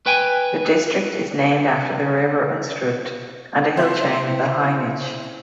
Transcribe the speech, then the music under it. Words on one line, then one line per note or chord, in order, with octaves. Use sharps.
The district is named after the river Unstrut and a hill chain, the Hainich.
B4 G5 G#5
C4 E4